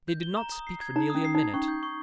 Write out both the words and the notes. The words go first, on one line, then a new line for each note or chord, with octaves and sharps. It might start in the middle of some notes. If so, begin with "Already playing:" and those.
They did not speak for nearly a minute.
G6
G7
A#5
D#6
C7
G#6
D#4 A#5
D#6
C#4
C7
D#4 G#6
C#4 C#6
G6
C#6